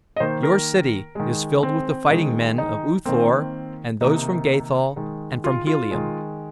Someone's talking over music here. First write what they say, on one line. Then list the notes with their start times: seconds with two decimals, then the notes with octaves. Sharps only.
Your city is filled with the fighting men of U-Thor, and those from Gathol and from Helium.
0.16 D#5
0.20 D#3 A#3 C5
0.43 A#4
1.15 D#3 G#3
1.63 C4
2.11 D#3 G#3
2.58 D#4
3.05 D#3 A#3 C4
4.01 C3 D#3 A#3 D#4
4.96 D#3 G#3
5.44 F4
5.67 F4
5.91 D#3 G#3